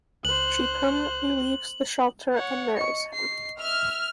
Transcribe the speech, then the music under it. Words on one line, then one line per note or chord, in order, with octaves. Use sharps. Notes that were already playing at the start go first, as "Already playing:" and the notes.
She permanently leaves the shelter and marries him.
C#2 C5 F#6 F#7
C#5 F#5
D#5 C#6 C#7
C7
E5 F6